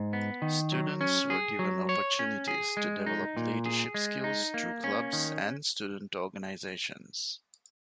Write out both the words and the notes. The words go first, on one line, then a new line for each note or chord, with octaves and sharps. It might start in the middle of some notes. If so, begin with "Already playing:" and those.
Students were given opportunities to develop leadership skills through clubs and student organizations.
Already playing: G#2
B3
D#3
F#3
C#4
G#4
F#3
C#5
C#4
G#4
G#3
D#4
A#2
G#4
G#3
D#4
A#3
C#4
D#3